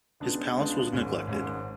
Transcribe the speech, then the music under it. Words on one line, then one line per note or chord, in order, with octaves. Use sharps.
His palace was neglected.
C#2 C#3 G#3 B3 D4
C#2 C#3 G#3 B3 D4
G#1 G#2 G#3 C#4
G#1 G#2 G#3 C#4